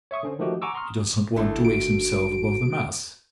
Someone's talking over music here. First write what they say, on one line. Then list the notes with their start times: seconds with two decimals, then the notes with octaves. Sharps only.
He does not want to raise himself above the mass.
0.11 C#5 E5 C#6 D#6
0.23 D3 C#4 C5
0.39 D#3 F3 A3 F#4 G4 D#5
0.62 F#5 G#5 A#5 C#6 D6 E6
0.75 A#5 C6 C#6 D#6 F6
1.36 G#1 D3 D#3 A3 E4
1.65 F#4 D7